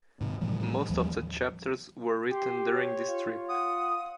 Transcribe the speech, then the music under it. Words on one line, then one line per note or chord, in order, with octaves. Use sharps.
Most of the chapters were written during this trip.
G#2 C3 D#3
A2 E3 F3 G3
D#2 F3 G3
G4 C6
C#5
F4
F#5 D#6